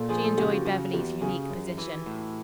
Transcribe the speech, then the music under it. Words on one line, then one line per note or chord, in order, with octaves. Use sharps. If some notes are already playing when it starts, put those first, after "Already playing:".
She enjoyed Beverly's unique position.
Already playing: A#2 A4
F3 G#4
A4
C#3 G4
F#4
C#3 F#4
E2 G4
C#3 G#4
F#2
E3
A2